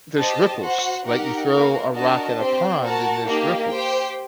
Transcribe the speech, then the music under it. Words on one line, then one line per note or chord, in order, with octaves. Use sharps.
there's ripples, like you throw a rock in a pond and there's ripples.
G4 C5 D#5 A5
F#4 C5 F#5
D#4 G4 A#4 F#5
A#3 F#4 A#4
D4 F#4 A#4 D#5 A5
C4 G4 C5
F#4 A#4 F#5 A5
A#3 D#4 G4
G4 C5 G5